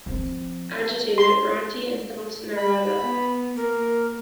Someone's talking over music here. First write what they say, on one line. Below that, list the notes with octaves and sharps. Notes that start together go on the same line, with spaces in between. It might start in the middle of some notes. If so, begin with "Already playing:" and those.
Agitated, Rati insults Narada.
F3 C4
C6
B5
B3
A#3 A#4